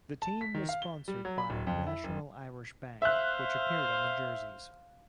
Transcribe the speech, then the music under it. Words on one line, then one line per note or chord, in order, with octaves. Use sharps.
The team were sponsored by National Irish Bank which appeared on the jerseys.
A5
B6
D#3
F5
G7
G3
F#3
B5
D1
F2
E4
F#1
C5 E5 F5 F#6